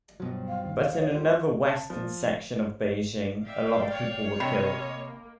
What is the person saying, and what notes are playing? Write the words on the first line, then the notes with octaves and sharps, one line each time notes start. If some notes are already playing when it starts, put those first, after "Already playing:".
But in another western section of Beijing, a lot of people were killed.
G2 B2 F3 F#3
F5
D#2
C#3 C#5
G3 A3 F4
A5
F3
D5 E5 F5 G5
C#5
C3 G3 D#5 F5 B5
A#3